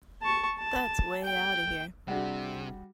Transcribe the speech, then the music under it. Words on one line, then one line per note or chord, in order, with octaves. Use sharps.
That's way outta here.
A5 C#6
A5
G5
C3 G3 D4 F#4 G#4 F#5